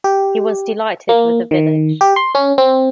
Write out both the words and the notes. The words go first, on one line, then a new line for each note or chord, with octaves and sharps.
He was delighted with the village.
G4
A#3
D#3
G4
C6
C#4
C4